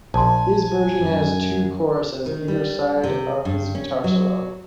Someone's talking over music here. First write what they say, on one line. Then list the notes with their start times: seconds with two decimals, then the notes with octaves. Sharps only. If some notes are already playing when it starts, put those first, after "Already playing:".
His version has two choruses either side of his guitar solo.
0.14 A#1 G#5 A5 C6
1.00 F#2
2.26 D#3
2.48 G3
3.04 C3
3.45 G2
3.75 C#4
4.04 F#3